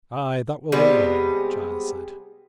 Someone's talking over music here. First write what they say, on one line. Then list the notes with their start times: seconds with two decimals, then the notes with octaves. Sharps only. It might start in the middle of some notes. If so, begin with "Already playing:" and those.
"Aye, that will we willingly," Giles said.
0.72 C3 G3 G#3 B3